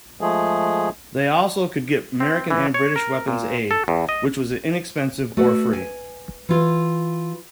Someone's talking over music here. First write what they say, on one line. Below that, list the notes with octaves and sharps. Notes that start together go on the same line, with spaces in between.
They also could get American and British weapons aid, which was inexpensive or free.
F3 G#3 A3 G#4
C4
E3
C#5
A#4
A#2
A4
E2
D#5
A3 F#4 B4 D5
G#5
E3 F4